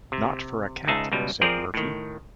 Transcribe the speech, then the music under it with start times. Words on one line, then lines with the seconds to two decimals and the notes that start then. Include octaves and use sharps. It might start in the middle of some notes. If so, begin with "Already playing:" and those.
"Not for a cat," said Murphy.
0.12 C3
0.87 C#2 D#4 G#4 E5 A5
1.12 C#2 B2 G3
1.41 F3 C4 G#4 A#4 D5
1.74 A2 D#3